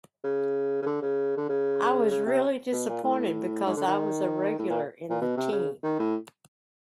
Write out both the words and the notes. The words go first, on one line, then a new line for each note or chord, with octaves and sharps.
I was really disappointed because I was a regular in the team.
C#3
C#3
D3
C#3
D3
C#3
C#3
C3
B2
A#2
A2
G#2
D3
D#3
A2
A#2
A#2
B2
C3
C#3
D#3
A2